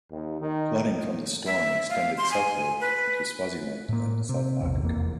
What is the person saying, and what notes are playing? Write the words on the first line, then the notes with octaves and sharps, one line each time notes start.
Flooding from the storm extended southward into Swaziland and South Africa.
D#2
D#3
E5
F5
C6
G#5
B4
A2 A#3
C3
A#1 E2 C3
F1 E2 A#3